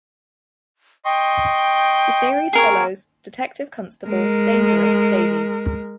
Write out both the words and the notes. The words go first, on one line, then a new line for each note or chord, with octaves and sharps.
The series follows Detective Constable "Dangerous" Davies.
D#5 G5 C6 C#6
A#3 C4 G#4 A#4 C#5
G#3 A#4